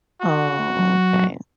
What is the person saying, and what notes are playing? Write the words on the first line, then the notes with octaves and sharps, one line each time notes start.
Oh, okay.
F#4
F#3